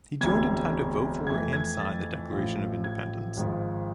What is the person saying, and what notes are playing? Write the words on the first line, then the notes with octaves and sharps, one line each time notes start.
He joined in time to vote for and sign the Declaration of Independence.
E1 D2 C3 G#6
F2 E3 A3 G#6
G#6
A6
A1 A2 F3
G#6
G#1 G#2 F3